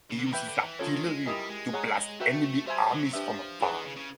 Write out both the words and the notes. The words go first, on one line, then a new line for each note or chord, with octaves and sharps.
He uses artillery to blast enemy armies from afar.
C#3
D3
D#3
E3 B4 E5 G5 B5
D3
E3
D#3 C#4 F4 A4 C#5
G#3
G3 E4 G4 A#4 D#5 G#5
G#3
G#4 C#5 F#5 A#5 C#6
A3 F#4 B4 E5 G5
G3 C5 E5 G#5 B5
F#3
F#3
F3 D4 G4 B4 E5
E3 E4 G#4 B4
D#3
C#3
C#3